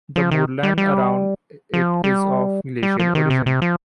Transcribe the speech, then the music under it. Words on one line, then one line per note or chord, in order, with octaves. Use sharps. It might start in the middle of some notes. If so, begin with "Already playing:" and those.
The moorland around it is of glacial origin.
F3
D#3
G3
G3
F3
G3
G3
F3
D#3
C3
C3
F3